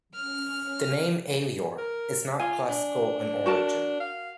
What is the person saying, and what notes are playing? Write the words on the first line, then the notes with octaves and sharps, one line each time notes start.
The name "Avior" is not classical in origin.
C#4 F6
A#4
F4 G#5
D4
F#4 A#4 A5
F5